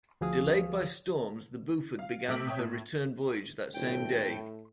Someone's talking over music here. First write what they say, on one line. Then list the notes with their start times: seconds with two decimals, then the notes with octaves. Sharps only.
Delayed by storms, the "Buford" began her return voyage that same day.
0.21 D2 F3 F#4 G#4 F5 D#6
1.99 F5
2.28 C3 A3 E5 D6 D7 F#7
2.47 C#5 E5 G5 D#6
2.59 A2
3.74 D#1 A2 G5